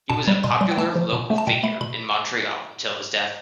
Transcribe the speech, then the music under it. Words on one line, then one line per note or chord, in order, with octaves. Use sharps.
He was a popular local figure in Montreal until his death.
B2 A5
G3
B2 C6
G3 C6
G5
A3 A5
F3
B2
A3
A5
B2 G5
A3 B5
B2 B5